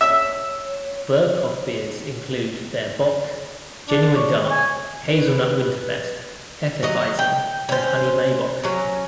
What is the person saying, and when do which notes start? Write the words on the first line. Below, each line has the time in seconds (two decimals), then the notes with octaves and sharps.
The Berghoff beers include their Bock, Genuine Dark, Hazelnut Winterfest, Hefeweizen, and Honey Maibock.
0.01 C#5 E5
3.89 D4
4.16 C#5
4.51 G#5
5.10 B4
6.83 F#3 D#5
7.19 G5
7.69 C#4 C5
8.63 F#3 C#4